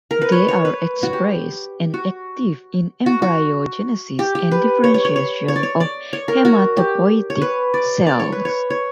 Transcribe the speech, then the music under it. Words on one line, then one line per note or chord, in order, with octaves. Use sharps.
They are expressed and active in embryogenesis and differentiation of hematopoietic cells.
A#4
B4
C#5
C#5
B4
F#4
G4
F#4
F#4
F#4
G4
G4
B4
C#5
C#5
C#5
C#5
C#5
D5
C#5
D5
C#5
A#4
F#4
G4
C#5
B4
D5
D5
C#5
B4
C#5
C#5